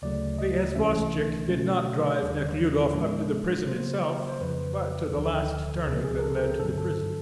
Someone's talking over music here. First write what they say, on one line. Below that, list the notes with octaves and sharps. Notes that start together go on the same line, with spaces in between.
The isvostchik did not drive Nekhludoff up to the prison itself, but to the last turning that led to the prison.
D2 C#3 F#3 A3 D5
D#5
C2 C3 E3 A3 C#4 E5
B2 F#3 A3 C#4
D#2 D3 G3
A2 F3 G#3 B3 D4
C#3 F#3 A#3 C5
C5
F2 C#3 F3 B4
D2 D3 F3 A4
C#2 C#3 F3 G#4
G#4
A#4
A4
G#4
G2 D3 F#3 A4
A4